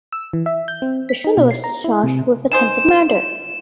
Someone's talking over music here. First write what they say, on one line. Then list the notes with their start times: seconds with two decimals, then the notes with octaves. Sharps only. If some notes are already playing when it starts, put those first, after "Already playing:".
The shooter was charged with attempted murder.
0.13 E6
0.33 E3
0.46 E5
0.68 G6
0.82 C4
1.09 B6
1.24 D#4
1.37 B2
1.51 C7
1.64 A#5
1.84 E4
2.03 C3
2.52 D#3 G#4 C5 E7